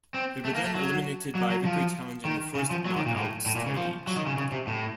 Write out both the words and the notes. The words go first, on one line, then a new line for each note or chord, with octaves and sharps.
They were then eliminated by Victory Challenge in the first knock-out stage.
C4
A3
A#3
A3
F#3
F#3
F#3
F3
D#3
C#3
F3
F#3
D#3
A#2
A2
A2
A#2
C#3
F3
F#3
D#3
C#3
C#3
C3
A2